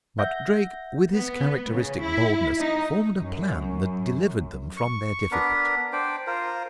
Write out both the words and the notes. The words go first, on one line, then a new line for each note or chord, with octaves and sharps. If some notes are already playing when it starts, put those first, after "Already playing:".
But Drake, with his characteristic boldness, formed a plan that delivered them from their difficulty.
E5 F#5 G6 A#6
B3
C#3
E4
D#4
F#2
C#6
B3 D4 A#4 B4
D4 C5 D5 G5
F4 A#4 C5